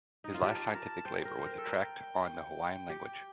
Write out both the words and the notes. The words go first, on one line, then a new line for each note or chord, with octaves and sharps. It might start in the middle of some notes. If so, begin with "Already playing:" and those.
His last scientific labor was a tract on the Hawaiian language.
D#4
F4
G4 A5
A#4 A5
C5 G5
A#4
C5
A#4
A4
A#4
G4